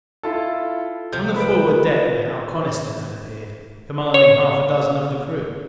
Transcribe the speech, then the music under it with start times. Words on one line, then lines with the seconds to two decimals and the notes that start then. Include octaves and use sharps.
On the forward deck now Coniston had appeared, commanding half a dozen of the crew.
0.23 E4 F4 A4
1.13 C3 F3 G6
1.36 B4 B5 D7
4.14 C#5